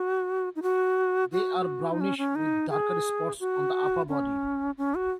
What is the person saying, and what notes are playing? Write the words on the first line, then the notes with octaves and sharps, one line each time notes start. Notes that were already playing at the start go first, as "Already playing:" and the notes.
They are brownish with darker spots on the upper body.
Already playing: F#4
D#4
F#4
F#4
D#4
C#4
C#4
D#4
G#4
F#4
C#4
C#4
F#4